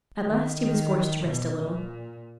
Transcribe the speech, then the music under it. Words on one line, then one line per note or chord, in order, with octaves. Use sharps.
At last he was forced to rest a little.
D#3
D#3
B2
A#2